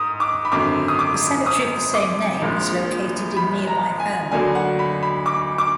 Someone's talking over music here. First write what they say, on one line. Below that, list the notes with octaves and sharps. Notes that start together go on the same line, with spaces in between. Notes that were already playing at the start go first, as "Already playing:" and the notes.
The cemetery of the same name is located in nearby Herman.
Already playing: G#2 D#6
D6
B5
G#1 F#2 D3 D6
D#6
D6
D#6
D6
A#1 A#2 F3 G#3
B5
A#5
G#5
D2 D3 F#3 A#3 D4 G#5
F#5
B5
B5
D6
D6